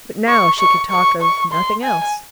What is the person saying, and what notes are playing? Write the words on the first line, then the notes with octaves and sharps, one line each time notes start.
But now she could talk of nothing else.
C#6
C#6
C#6
C#6
C6
G#5